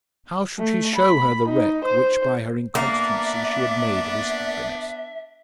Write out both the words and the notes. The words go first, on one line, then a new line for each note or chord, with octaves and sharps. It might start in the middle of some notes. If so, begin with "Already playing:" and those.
How should he show her the wreck which by her inconstancy she had made of his happiness?
A3
B5
D#4
C5
A#3 B3 D4 D5 E5